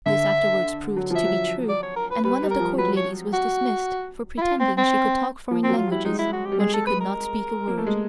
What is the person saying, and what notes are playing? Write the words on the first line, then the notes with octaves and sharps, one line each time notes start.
This afterwards proved to be true and one of the Court ladies was dismissed for pretending she could talk foreign languages when she could not speak a word.
D3 E5
F#3
F3
E5
F#3
D5
C#5
A#4
B4
G3 B4
G3
A#4
F3
F#3 B4
C#5
F#4
E4
F4
C4
C4
F3
C4
F#3
F4
G3
E4
G#3 D#4
E4
F#4
G4
G3
G#3 G#4
A4
B4
A#4
A#3
A3
G#3